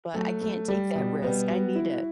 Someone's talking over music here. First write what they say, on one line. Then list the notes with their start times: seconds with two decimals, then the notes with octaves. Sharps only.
but I can't take that risk, I need it.
0.14 F#3 A3
0.41 A3
0.68 G3
0.95 B2
1.22 G3 B3
1.49 F#4
1.75 E4